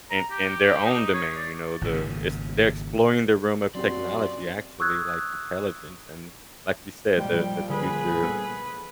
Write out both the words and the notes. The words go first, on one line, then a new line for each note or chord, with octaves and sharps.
in in their own domain, you know, the it's they're exploring the realm of technology, actually, like, intelligence and like you said, the the future,
A#5
G4
D#4
C#5
D5
G#1 A#2 C#3
F#2 A#2 F#3 C4 F#4 G4 D5 C6
C#6 D#6 E6 F#6 G#6
A#2 F3 G3 G#3 G5
D3 G3 G#4 B4 B5
G3 B3 A4